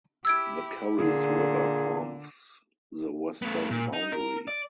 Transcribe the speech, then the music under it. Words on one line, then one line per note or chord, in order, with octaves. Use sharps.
The Curries River forms the western boundary.
E4 G4 E6 G#6 D7
A#2 D3 G#4
A3 B3
A#2
D#4
A#4
D5